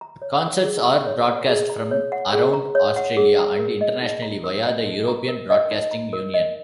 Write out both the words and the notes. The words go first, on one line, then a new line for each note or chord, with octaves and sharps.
Concerts are broadcast from around Australia and Internationally, via the European Broadcasting Union.
A#5
C#5
F#5
G#4
A#5
C#5
F#5
G#4
A#5
C#5
F#5
G#4
A#5
C#5
F#5
G#4
A#5
A#4
D#5
D#4
A#5
A#4
D#5
D#4
A#5
A#4
D#5
D#4
A#5
A#4
D#5